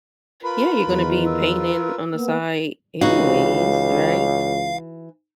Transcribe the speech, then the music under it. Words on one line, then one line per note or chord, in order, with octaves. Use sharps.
Yeah, you're gonna be painting on the side anyways, right?
F4 A#4 B4 B5
E2 D#3
E6
A#3 B3
C#2 E3 D#4 F#4 F5